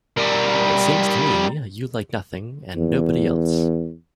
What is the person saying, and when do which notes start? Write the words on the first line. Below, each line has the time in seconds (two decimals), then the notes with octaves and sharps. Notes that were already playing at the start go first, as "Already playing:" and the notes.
It seems to me you like nothing and nobody else.
0.17 G3 A#4
2.76 E2